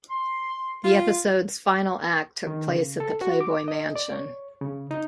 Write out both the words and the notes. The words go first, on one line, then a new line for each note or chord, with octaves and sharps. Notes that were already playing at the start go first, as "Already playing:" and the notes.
The episode's final act took place at the Playboy Mansion.
C6
F4
D#3
C#3
A4
F#4
D6
D#5
D5
C#5
C#3
D#4